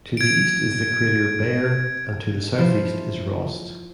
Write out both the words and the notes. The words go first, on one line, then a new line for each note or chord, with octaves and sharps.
To the east is the crater Bayer and to the southeast is Rost.
G#6 D7
F3 E4 C5